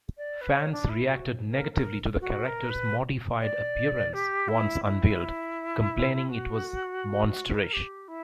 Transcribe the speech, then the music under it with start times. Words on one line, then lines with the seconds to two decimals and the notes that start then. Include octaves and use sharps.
Fans reacted negatively to the character's modified appearance once unveiled, complaining it was "monster-ish".
0.17 D5
0.41 B4
0.52 C#5
0.71 D4
0.89 E4
1.07 F#4
1.49 A#4
1.72 A#4
2.20 F#4
2.45 A#4
2.69 B4
3.41 D5
4.13 G4
4.48 E4
4.84 E4
6.29 F#4
7.54 B4
7.63 A#4
7.73 G4
8.08 E4